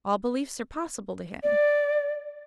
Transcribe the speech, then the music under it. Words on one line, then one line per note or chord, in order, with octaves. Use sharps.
All beliefs are possible to him.
D5